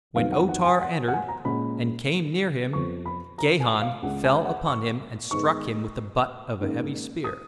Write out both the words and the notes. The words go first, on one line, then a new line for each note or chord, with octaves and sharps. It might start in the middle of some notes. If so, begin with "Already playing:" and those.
When O-Tar entered and came near him Gahan fell upon him and struck him with the butt of a heavy spear.
F2 D#3 F#3 B3 F5
F#5
F#5
G#5
F#5
F#5
G#5
A#5
A#2 G#3 C#4 B5
F2 F3 B3 C#6
B5
A#5
G#5
F5
C#2 C#3 G#3 C#4 F#5
G#5
F#5
C#6
G#2 D#3 G#3 B3 C#6
G#2 D#3 A#3 C#4
D#6